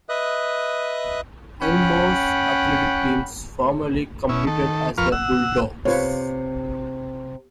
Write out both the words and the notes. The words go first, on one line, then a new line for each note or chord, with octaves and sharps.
Elmore's athletic teams formerly competed as the Bulldogs.
B4 D#5 E5 D#6 F#6
C#4 F#5 G5 B5
B2 C#4 E4
D#3 A4
F2 F4 A#4 B4 C#6 F6
F#5 E6
C3 F4 B4 C#5